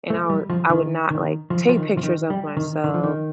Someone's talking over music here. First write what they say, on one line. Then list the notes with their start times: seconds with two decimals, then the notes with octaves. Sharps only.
and I would I would not, like, take pictures of myself.
0.10 A3
0.30 G3
0.50 F3
0.70 D#3
1.11 D#3
1.50 F3
1.69 F3
1.77 D#3
1.97 F3
2.03 D#3
2.30 G3
2.57 D#3
2.84 D#3
2.94 F3
3.03 D#3